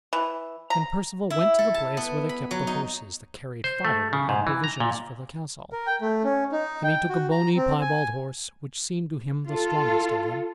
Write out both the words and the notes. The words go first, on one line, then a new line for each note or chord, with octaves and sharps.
And Perceval went to the place where they kept the horses that carried firewood and provisions for the castle, and he took a bony, piebald horse, which seemed to him the strongest of them.
E3
A#5
E4
A4
A5
B3
B5
F#3
D#4
C5
A3
C#3
G#2
E3
A#5
A#2
A#4
G5
A3
C#4
D#4
G5
F#4
A#5
C4
G#5
F4 A4